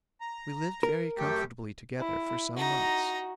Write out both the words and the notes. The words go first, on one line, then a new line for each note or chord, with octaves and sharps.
We lived very comfortably together for some months.
A#5
A#4
F#2 A3 G4
E4
D#4 F#4 A#5